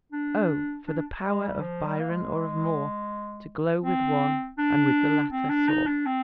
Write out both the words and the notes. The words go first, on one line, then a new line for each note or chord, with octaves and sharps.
Oh, for the power of Byron or of Moore, To glow with one, and with the latter soar.
D4
D4
G#3
G3
F3
G3
A#3
G#3
C4
D4
C4
D4
D#4
D4
C4